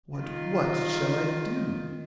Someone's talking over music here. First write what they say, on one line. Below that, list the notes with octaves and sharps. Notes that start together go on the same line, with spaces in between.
'What, what, shall I do!'
D#3 F4